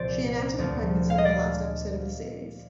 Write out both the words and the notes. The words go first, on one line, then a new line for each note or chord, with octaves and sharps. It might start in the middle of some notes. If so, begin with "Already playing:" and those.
She announces her pregnancy in the last episode of the series.
Already playing: C2 A#2 F3 C5 D5
D2 D3 F3
F5
D#5
D5